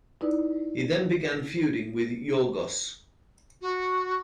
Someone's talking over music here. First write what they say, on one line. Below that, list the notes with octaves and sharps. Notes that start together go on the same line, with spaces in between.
He then began feuding with Yorghos.
D#4 E4 B4 D5
F#4